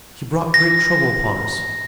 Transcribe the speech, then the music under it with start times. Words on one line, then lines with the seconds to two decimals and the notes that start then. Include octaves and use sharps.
He brought great trouble upon us.
0.54 A#6